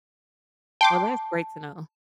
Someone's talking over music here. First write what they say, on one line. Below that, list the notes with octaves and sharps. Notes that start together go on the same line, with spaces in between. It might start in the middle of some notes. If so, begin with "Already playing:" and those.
Well that's great to know.
G5 A5 C6 D6